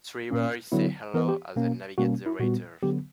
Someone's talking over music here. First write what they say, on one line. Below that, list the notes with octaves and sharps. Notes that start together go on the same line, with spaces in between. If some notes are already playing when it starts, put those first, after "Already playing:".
Three boys say hello as they navigate the waters.
A#2 A#3 C#4
D3 F#3 B3 E4
E3 B3 A#4
G4
B2 A#3 C#4
B2 G3 A#3 C#4 F#4
E4
A#2 G3 B3 F#4
D3 F#3 B3 G4